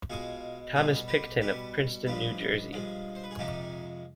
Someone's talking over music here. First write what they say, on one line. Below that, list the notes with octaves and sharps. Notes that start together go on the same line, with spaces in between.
Thomas Picton of Princeton, New Jersey.
B2 G#3 F4 G#4
B2 G3 F4 G#4
G4 B4
B2 G3 G4 B4
G2 F3 G#3 G4 B4
G2 F3 G#3
C5
B4
G#4
F2 C3 F3 G#3 D#4 G4